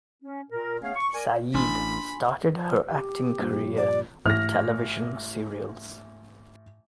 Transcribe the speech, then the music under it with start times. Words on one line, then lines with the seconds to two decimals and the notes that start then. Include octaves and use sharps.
Syed started her acting career with television serials.
0.23 C#4
0.51 A#2 A#4
0.81 A3 B3 C#4 G#4 C#5 F5
0.95 C#6
1.14 A#4 D5 G#5
1.54 A1 D4 G#5 B5 C6
2.50 F3
2.87 G4
3.39 G2 A#2 F3
3.77 D5
4.26 A1 G#2 F6 A#6